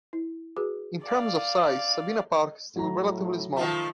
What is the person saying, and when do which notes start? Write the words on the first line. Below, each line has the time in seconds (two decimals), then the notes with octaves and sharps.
In terms of size, Sabina Park is still relatively small.
0.13 E4
0.57 F#4 G#4 B4
1.03 D5 F5
2.76 A2 F#3 A#5
3.57 D#3 F3 A3 F4